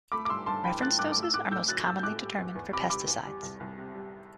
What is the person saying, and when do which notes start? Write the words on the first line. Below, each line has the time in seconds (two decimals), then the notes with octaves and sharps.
Reference doses are most commonly determined for pesticides.
0.12 A3 B5 D6
0.25 D6
0.29 G2 C6 E6
0.46 G2 A5 C6
0.64 E3 G5 B5
0.81 A3 F#6 A6
0.99 G2 D6 F#6
1.12 A3 D6
1.23 E6
1.33 A2 D6 F#6
1.51 A2 E6 G6
1.68 F#3 F#6 A6
1.86 A3 E6 G6
1.99 G6
2.03 A2 D6 F#6
2.21 G3
2.38 E2
2.55 E2
2.73 C3 B5 D6
2.90 G3 B5 D6
3.07 E2
3.25 G3
3.43 C2
3.60 C2
3.78 C3
3.95 G3